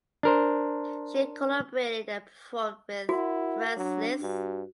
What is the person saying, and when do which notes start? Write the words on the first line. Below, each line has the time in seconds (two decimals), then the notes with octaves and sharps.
She collaborated and performed with Franz Liszt.
0.23 D4 A#4 C5
3.09 E4 F#4 A#4 F#5
3.77 F#3 D4
4.22 G2 F#4